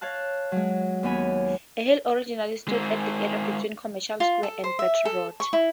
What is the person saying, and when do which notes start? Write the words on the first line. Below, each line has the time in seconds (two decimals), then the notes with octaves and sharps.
A hill originally stood at the area between Commercial Square and Battery Road.
0.01 C#5 F5 A5 F#6
0.52 F#3 G#3
1.03 D#2 B3 C#4 C#5 G#5 B5
2.68 G#3 C4
4.20 F4
4.43 A4
4.64 C5
4.79 E5
5.05 A4
5.40 C#6
5.53 E4